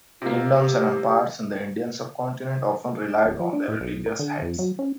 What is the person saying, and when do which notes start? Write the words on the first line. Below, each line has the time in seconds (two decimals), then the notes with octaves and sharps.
Kingdoms and empires in the Indian sub-continent often relied on their religious heads.
0.22 C3 A#3 F4
0.53 G4
3.26 D1
3.40 F3
3.53 D4
3.68 A2
3.80 B1
4.06 A#4
4.19 D3
4.42 F2
4.59 F#3
4.79 C#4